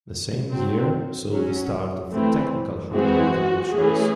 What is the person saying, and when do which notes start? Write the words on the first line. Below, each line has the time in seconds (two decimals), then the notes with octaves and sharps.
That same year saw the start of the technical handling collections.
0.50 F#3 C4
1.31 F#3 C#4
2.11 E3 A3 C4
2.93 E3 G#3 C4 F#4
3.74 E3 A3 C#4 G#4